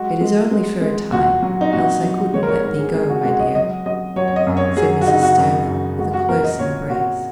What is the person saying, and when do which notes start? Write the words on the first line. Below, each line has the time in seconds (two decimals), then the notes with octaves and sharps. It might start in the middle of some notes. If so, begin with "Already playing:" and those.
"It is only for a time, else I couldn't let thee go, my dear," said Mrs. Sterling, with a close embrace.
Already playing: F#3 G#3 F#4
0.21 G#3
0.51 G#3
0.81 G#3
1.12 A#2 F#4
1.43 F#3
1.61 D#4
1.72 A#2 F#4
2.03 F#3
2.34 G#3 C#5
2.43 A#4
2.49 C#5
2.64 G#2 A#4
2.79 G#4
2.95 G#3 G#4
3.09 F#4
3.25 G#3 F#4
3.40 D#5
3.55 F#3 D#5
3.86 F#3 D#5
4.16 F#3 C#5
4.28 C#5
4.36 D#5
4.47 F#2
4.57 C#5
4.77 F#3 G#4
5.01 F#4
5.07 C#3 D#4
5.23 F#4
5.38 F#2
5.68 F#2
5.99 G#3 F#4
6.13 F#4
6.29 A#2 A#4
6.44 D#5
6.59 A#2 C#5
6.90 A#2 F#4